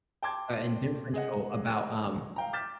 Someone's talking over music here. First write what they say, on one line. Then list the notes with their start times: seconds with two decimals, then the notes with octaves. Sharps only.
uh, and differential about, um,
0.23 G5 A5 C6 D6 G#6
1.14 G#4 D#5 F#5
2.36 F5 G5 A#5
2.53 D6 F6 G6 A6 B6 E7